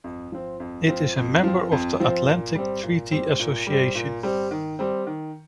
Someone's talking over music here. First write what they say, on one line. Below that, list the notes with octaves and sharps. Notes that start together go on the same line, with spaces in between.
It is a member of the Atlantic Treaty Association.
F2
F3 C4
F2
F3 C4
F2
F3 C4
F2
F3 C4
A#2
G3 C4
A#2
G3 C4
A#2
G3 C4
A#2
G3 C4
D#3
G3 C4
D#3